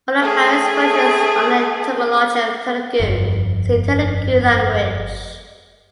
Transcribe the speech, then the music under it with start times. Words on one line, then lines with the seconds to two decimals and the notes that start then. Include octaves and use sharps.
For the various versions on the etymology of Telugu, see Telugu language.
0.20 A3 G#4
3.00 G1 F2